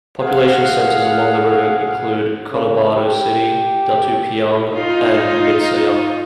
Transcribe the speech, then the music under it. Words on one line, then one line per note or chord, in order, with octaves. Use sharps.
Population centers along the river include Cotabato City, Datu Piang, and Midsayap.
G#4 F5 F#5
C#3
G4
D#4 F4